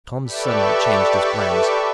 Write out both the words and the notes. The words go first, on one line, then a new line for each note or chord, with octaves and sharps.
Tom suddenly changed his plans.
G4 A4 B4 D5 E5 C#6